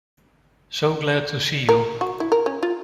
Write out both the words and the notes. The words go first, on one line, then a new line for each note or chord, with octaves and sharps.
So glad to see you.
A#4
F#4
E4
A#4
C#4
F4